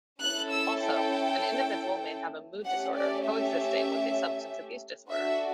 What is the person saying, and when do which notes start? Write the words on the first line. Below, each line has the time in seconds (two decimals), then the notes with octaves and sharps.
Also, an individual may have a mood disorder coexisting with a substance abuse disorder.
0.20 C#4 E4 A4 F#6
0.51 E6
0.82 G5
2.65 A3 C#4 G4 F#5
2.96 D5
3.26 E5
5.10 D4 F#4 A4 E5